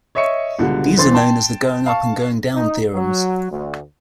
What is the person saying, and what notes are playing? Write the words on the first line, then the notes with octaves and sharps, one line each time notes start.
These are known as the going-up and going-down theorems.
C#5 D#5 E5 C#6 C#7
C#2 B2 D3 G3
C2 E3 C4 C6 A6
G5 A5 C6
F5 A5 C#6
D#4
F#3
D2